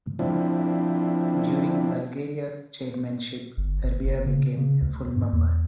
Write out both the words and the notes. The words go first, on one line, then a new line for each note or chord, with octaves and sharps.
During Bulgaria's chairmanship, Serbia became a full member.
F3 C4 D4 E4
G1
G1
F#1
C#3
C#3
D2
G2
E2